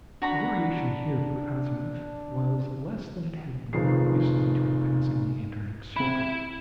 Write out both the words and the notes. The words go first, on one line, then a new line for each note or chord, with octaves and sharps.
The variation here, per azimuth, was less than it had been previously to our passing the Antarctic circle.
D4 F#4 A#5 B5
F1 D#3 F3 G#4 C7
C4 E4 B5